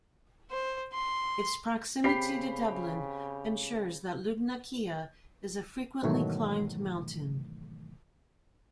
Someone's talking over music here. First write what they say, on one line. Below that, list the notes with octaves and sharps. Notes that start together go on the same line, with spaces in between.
Its proximity to Dublin ensures that Lugnaquilla is a frequently climbed mountain.
C5
C6
C#3 C4 G4 B5 B6 C7
G#2 B2 D#3 E3 F#3 A3